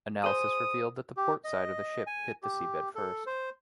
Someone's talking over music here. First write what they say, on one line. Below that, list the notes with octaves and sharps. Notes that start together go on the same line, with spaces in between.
Analysis revealed that the port side of the ship hit the seabed first.
G#4 C5 D#6
G4
D#5
G#5
G4
A4
C5